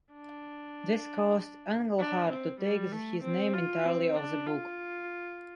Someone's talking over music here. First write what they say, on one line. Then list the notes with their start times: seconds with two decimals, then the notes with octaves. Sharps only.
This caused Englehart to take his name entirely off the book.
0.13 D4
2.00 D4
2.30 C4
2.61 G3
2.92 A3
3.23 C4
3.54 F4
3.85 C4
4.16 D4
4.47 F4